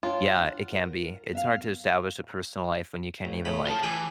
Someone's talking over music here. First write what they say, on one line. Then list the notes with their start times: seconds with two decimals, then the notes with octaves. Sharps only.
Yeah, it can be. It's hard to establish a personal life when you can't even, like,
0.03 D4 F4 C#5 G5
0.37 F#5
0.74 A#4
1.33 B3 E5 F5
3.25 A1
3.45 A2 C#3 B5
3.67 F4 A5
3.83 E3 G#4 B4 G5